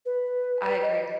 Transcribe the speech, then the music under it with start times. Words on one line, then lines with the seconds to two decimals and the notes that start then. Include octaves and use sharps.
I agree.
0.06 B4
0.82 D#5